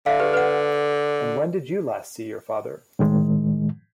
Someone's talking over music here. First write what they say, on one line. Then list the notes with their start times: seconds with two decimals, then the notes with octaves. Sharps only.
And When Did You Last See Your Father?
0.06 D3 E5 F5
0.20 G4 G#4 B4
0.33 B4 F#5
2.99 A2 D#3 G#3